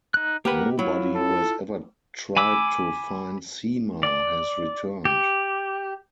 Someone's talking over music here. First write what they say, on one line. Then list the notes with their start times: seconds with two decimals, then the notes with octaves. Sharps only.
Nobody who has ever tried to find Seima has returned.
0.14 D#4 F#6
0.45 A#3 G4 A#4 B4 F#5
0.79 F#3 E4 F4
1.16 A4
2.37 G#5 B5 D6 E6
4.03 D5
5.05 G4